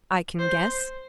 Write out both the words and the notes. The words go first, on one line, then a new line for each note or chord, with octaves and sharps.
"I can guess."
C5